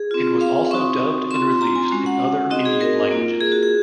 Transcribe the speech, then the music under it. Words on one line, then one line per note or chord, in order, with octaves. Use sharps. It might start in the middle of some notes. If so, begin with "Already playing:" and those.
It was also dubbed and released in other Indian languages.
Already playing: G#4
C4 F4
F5
C4 D#4 F#4 C#6
C4 F4 C6
A#5
G#5
G#3 C#4 F#4
F#5
C4 D#4 F#4 D#5
G#4
A#4
A#3 F4
G#4
F#4
G#4